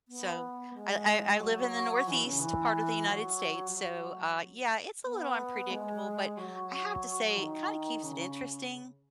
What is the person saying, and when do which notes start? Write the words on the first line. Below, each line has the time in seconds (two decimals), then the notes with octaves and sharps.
So I I I live in the northeast part of the United States, so, uh, yeah, it's a little unpredictable, but I have to say it kinda keeps it interesting.
0.08 B3
0.74 G#3
1.40 F#3
2.07 E3
2.24 C#3
2.40 E3
3.06 F#3
3.72 F#3
5.05 B3
5.71 G#3
6.37 F#3
7.37 D#3
8.03 C#3